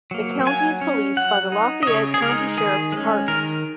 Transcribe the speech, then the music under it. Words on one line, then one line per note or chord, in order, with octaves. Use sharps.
The County is policed by the Lafayette County Sheriff's Department.
F#3 A#3
F#3 G#5
C#4
F#3 F#5
D#4
D#5
C#3 C#5
G#4
G#3 D#4 A#4
D#3 G#4
G#3 C#4
D#3 A#4